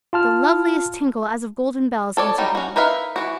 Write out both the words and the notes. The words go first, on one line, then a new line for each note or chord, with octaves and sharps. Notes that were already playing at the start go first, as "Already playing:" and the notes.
The loveliest tinkle as of golden bells answered him.
F4 A5 F6
A4 C#5 D5
F#3 G3 D#4
C#4 F#4
D#4 A#4 B4 E5 F5
E3 F#4